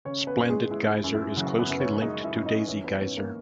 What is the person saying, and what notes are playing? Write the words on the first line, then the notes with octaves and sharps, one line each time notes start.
Splendid Geyser is closely linked to Daisy Geyser.
C#3 C#4 C#5
B3 B4
F#2
G#3 G#4
G#3 E4
F#2
E4
C#3 F#3 F#4
B3 B4
F#2
C#4 C#5
G#3 D#4 D#5
E4 E5
F#2
D#4 D#5
E3 C#4 C#5
B3 B4
G#2 C#4 C#5
A#3 A#4